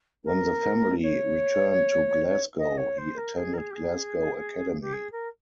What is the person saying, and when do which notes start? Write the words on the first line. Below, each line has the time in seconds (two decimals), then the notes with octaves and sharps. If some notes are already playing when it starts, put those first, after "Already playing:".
When the family returned to Glasgow he attended Glasgow Academy.
0.24 A#4
1.03 C#5
2.58 D#5
2.77 C#5
2.98 C5
3.17 A#4
3.36 G#4
3.53 A#4
3.57 G#4
3.70 G4
3.74 G#4
4.81 G4
4.93 G#4
5.11 A#4